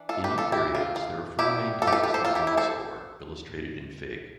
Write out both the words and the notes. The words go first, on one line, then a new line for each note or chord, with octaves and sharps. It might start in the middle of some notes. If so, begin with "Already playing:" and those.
In eukaryotes there are four main types of zoospore, illustrated in Fig.
Already playing: E3 D4
F4 A4
G4 B4
F4 A4
E4 G4
F4
F4
F3 B3 D4 E4 G4
F4 A4
G4
F4 A4
G4 B4
A4 C5
F4 A4
E4 G4
E4
A4 C5